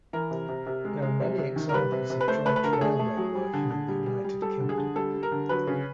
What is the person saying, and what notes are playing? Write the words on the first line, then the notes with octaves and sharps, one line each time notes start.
There are many examples of joint railway working in the United Kingdom.
E3 A#4
C3
C3
C3
G#3
G#3
C3
C3
D#3
A#4
G3 B4
C3
C3
B4
A3 C5
A3 B4
B4
D3 A#4
A4
A3 G#4
A3
F#3
G3
D3
D3
G3
G3
G3
G3 A4
D3
G#4
D3
G3 A4
G3
A#4
D3
F#3 B4
C#3